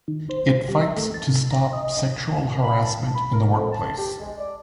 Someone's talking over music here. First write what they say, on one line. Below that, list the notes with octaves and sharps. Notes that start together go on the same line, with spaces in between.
It fights to stop sexual harassment in the workplace.
D#3
C5
G3
E5
A3
A5
C3
A#5
D#5
B5
A5
B5
A#4
F2
A5
G4
G#3
D5